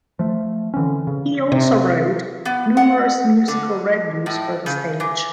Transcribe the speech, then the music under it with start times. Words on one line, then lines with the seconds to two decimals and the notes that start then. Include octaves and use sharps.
He also wrote numerous musical revues for the stage.
0.19 F3 A3
0.74 D3 E3 C4 C#4
1.07 C#3
1.52 C3
2.45 B3
2.77 F#5
3.48 D3
4.26 A2
4.66 C#3
5.00 E3